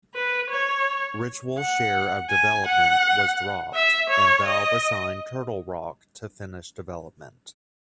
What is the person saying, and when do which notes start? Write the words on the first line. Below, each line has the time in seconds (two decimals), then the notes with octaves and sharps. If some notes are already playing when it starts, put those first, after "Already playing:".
Ritual's share of development was dropped, and Valve assigned Turtle Rock to finish development.
0.14 B4
0.50 C#5
1.58 F#5
2.30 G#5
2.66 F#5
3.74 E5
4.10 C#5
4.46 D#5